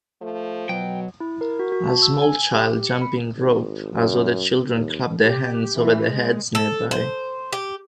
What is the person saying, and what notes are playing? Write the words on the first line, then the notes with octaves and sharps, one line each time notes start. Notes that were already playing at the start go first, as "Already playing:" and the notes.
A small child jumping rope as other children clap their hands over their heads nearby.
F3 A3
B2 F#3 G5
E4
A#4
F#4
F#4
A5
E6
G#5
G4
C#7
B5
G#1
F#2
D#2
G4
E3
G#3
A4
C5
G4